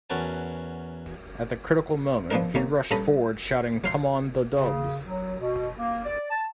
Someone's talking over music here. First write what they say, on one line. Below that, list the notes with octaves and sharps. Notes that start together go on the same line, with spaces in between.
At the critical moment he rushed forward shouting Come on the Dubs!
E2 C#4 F#4 A#4 B4 A5
F3 B3 D4 D#4 A#4
D#3 A#3 C#4
G2 C#4 A4 A#5 B5 D#6
F#3 F5 C6
C#3
F#3
B2
A#3
D5
A5